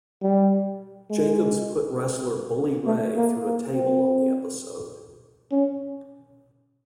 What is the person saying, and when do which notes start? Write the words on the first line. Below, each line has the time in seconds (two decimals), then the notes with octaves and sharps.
Jacobs put wrestler Bully Ray through a table on the episode.
0.22 G3
1.10 G#3
2.87 A3
3.17 A#3
3.46 A#3
3.74 C4
5.52 C#4